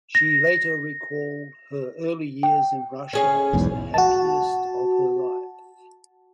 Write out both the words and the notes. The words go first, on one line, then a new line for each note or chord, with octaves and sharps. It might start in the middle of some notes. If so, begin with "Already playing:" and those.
She later recalled her early years in Russia as the happiest of her life.
A#6
G5
C#4 G#4 C#5
B1 E2 G#2
F#4 A5